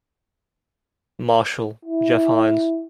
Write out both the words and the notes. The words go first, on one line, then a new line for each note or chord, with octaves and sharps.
Marshall: Jeff Hines.
E4